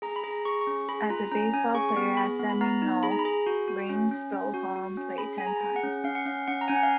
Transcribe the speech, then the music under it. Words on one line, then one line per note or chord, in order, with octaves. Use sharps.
As a baseball player at Seminole, Raines stole home plate ten times.
G#4 A#5
B5
G#4
A#5
G#4 C#6
C#6
C#4
G#4 B5
F4 A#5
C#4 A#5
C#4 G#5
G#4 C#6
C#6
B3
G#4 B5
B3
B5
B3 A#5
D#4
G#4 B5
A#5
B5
G#4
F#4
F#4
C#4
C#4
C#4
F#4
F#4
C#4
G#4 B5
G#4 G#5
A#5
G#4
F#5
C#4
C#4 F5
F#5
C#4 F5
C#4 F#5
A#5
C#4 G#5
F#5
F5